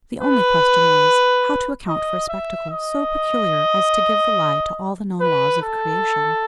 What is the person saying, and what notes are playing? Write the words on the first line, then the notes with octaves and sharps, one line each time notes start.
The only question was, how to account for a spectacle so peculiar, as to give the lie to all the known laws of creation.
B4
D#5
E5
D#5
B4
A4